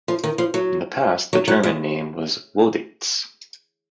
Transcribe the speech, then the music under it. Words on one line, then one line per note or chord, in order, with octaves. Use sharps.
In the past the German name was "Woditz".
F3
D#3
F3
F#3
F#3
F#3
G#3